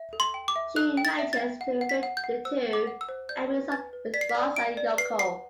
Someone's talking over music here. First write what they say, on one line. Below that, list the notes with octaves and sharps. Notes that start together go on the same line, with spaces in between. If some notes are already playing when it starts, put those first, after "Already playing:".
She manages to evade the two and meets up with Ross and Yoko.
Already playing: E5
A4
C6
G5
D6
E5
A4 F#6
G5
A6
E5
A6
G5
F#5
F#5
B6
F#5
G6
F#5
C5 E6
F#5
D6
F#5
E6
C5
D5 G6
B4
B4 A6
B4
D5 B6
C7
B6
D5
G5 D7
D5
B4 C7
F#5 C7